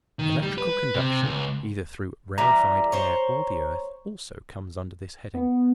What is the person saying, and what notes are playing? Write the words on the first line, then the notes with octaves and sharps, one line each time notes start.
Electrical conduction, either through rarefied air or the earth, also comes under this heading.
D#3
G3
B4
C3
C#2
E3 G3 A#5
C5 C#5
B3